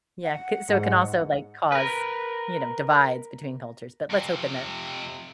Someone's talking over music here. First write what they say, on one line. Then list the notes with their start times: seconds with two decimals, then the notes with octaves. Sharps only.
Yeah, ‘ca so it can also like cause, you know, divides between cultures, but let's hope in that
0.24 F#5
0.68 G#2
1.72 A#4 B4
4.10 F2 C3